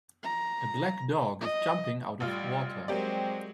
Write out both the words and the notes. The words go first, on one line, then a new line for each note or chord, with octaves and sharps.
A black dog is jumping out of water.
A#5
D#5
A1 G3 F4
F#3 G#3 A#3 C4 G4 D5